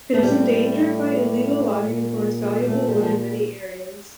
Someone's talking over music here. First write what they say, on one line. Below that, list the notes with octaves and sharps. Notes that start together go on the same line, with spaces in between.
It is endangered by illegal logging for its valuable wood in many areas.
A3
A2 G3
A#2
G3
A3
G3
F3